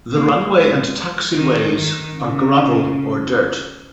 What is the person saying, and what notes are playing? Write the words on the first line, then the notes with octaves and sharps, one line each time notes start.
The runway and taxiways are gravel or dirt.
A#3
G#3
D#3
D#3
C#3